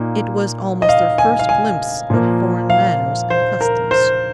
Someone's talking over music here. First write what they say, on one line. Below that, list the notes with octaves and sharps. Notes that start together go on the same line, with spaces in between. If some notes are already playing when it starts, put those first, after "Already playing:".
It was almost their first glimpse of foreign manners and customs.
Already playing: A#2 A#3 D#4
D#5
F5
G#5
F5
G#5
A#2 F3 A#3
F5
C5
A#4
C5